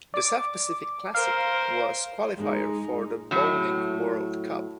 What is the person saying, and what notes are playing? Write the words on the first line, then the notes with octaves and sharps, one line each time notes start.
The South Pacific Classic was qualifier for the Bowling World Cup.
D5 D6
A#4 C5 F5
G#3 D#4
A2 F#3